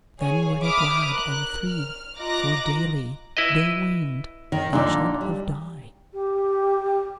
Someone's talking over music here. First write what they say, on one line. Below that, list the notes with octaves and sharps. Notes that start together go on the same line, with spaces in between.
Then were they glad all three, for daily they weened they should have died.
G#4 C#5 F5 G#5
E5 B5 D6 D#6 F6
A#4 F#6
F6
F4 D#5 A#5 D6 F#6 A#6
E4 B4 D#5
D#3
A#2 D3 D4 D#4
G3
G4